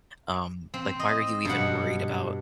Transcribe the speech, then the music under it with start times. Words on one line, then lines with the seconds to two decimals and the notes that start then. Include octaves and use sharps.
um, like, "Why are you even worried about
0.74 C4
0.99 D#5
1.45 G2 B2 F#5